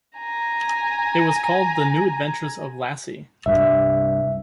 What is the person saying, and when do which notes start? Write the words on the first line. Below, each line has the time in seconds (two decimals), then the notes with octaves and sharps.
It was called "The New Adventures of Lassie".
0.18 G#5 A#5
3.46 C2 G2 E5